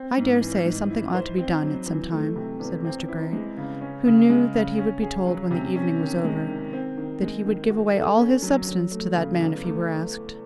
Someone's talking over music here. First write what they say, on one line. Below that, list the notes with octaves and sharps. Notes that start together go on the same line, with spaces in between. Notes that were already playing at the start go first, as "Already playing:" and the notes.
"I dare say something ought to be done at some time," said Mr. Grey, who knew that he would be told, when the evening was over, that he would give away all his substance to that man if he were asked.
Already playing: C4
G#2
E3
G#2
E4
C5
C4
F#3
E3
A3
C3
E2
C4
E4
G#3
C#3
C#4
C#3
G#3
C#3
C#4
G#4
F#3
C3
C#4
D#3
G#3
D#3
C4
D#3
G#3
D#3
F#4
A4
C#4
F#3
F#3
A3
C#3
E2
A3